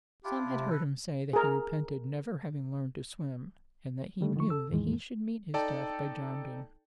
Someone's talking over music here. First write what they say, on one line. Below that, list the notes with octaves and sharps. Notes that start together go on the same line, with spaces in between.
Some had heard him say that he repented never having learned to swim, and that he knew that he should meet his death by drowning.
D4 E4 F4 G4
C3
A4 B4
G#4 A#4
D#3 G3 A3
D3 D#3 F3 C#6
A4 E6
E2 A2 D#3 E3 G#3
D#4 A4 D5 G5 A5